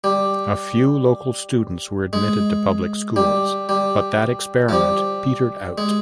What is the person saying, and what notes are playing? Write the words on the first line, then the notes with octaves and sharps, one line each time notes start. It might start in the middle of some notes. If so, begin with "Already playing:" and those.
A few local students were admitted to public schools, but that experiment petered out.
G3
G#3
G3
G3
F3
G3
G#3